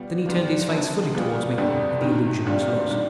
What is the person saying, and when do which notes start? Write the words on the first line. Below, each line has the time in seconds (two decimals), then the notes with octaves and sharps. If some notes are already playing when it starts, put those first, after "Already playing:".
Then he turned his face fully towards me, and the illusion was lost.
Already playing: B2 G3 B3 F4
0.26 G#2 G3 B3 D4 F4
0.69 D2 C3 F3
1.14 B2 G3 B3 F4 G#4
1.57 G1 F2 D3 G3 B3
2.01 G1 G2 D#3
2.45 D2 C3 G3 D4 F4
2.90 D#3 G3 D4